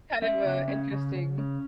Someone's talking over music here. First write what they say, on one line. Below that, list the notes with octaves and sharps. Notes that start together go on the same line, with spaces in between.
kind of a interesting
C#4 E5
C#3
C#4
C#3
C#3
C#4